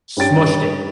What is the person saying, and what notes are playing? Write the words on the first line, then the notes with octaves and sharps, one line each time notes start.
smooshed it,
G2 C#4 G4 A6 D7